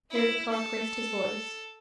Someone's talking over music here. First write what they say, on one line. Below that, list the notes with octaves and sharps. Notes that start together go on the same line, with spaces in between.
Here the Clerk raised his voice.
E4
A4